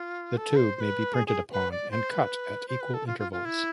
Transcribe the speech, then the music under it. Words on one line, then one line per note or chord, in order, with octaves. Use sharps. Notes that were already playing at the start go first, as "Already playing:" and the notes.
The tube may be printed upon, and cut at equal intervals.
Already playing: F4
A4
C5
C5
B4
G#4
G#4
B4
D5
C5
B4
C5
B4
A4
F4
F4
F4
E4